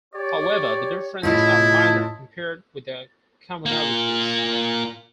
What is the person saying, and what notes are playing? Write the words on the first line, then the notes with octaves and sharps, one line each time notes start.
However the differences are minor compared with the commonalities.
G4 C#5 D5
A2 C#3 E4 F4 D#5 A5
A#3 F4